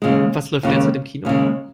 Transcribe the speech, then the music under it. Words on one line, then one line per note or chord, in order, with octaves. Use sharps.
Was läuft derzeit im Kino?
D#2 C#3 G#3
D#2 C#3 G#3
D#2 C#3 G#3